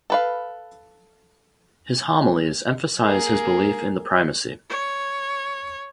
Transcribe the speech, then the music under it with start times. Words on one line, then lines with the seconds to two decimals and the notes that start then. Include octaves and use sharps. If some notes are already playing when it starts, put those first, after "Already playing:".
His homilies emphasize his belief in the primacy.
0.10 A4 B4 F5
3.02 A#3 G#4
4.70 C#5